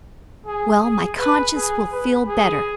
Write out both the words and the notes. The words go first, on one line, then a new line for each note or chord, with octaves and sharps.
"Well, my conscience will feel better."
G#4
G#4
B4
G#4
B4
G#4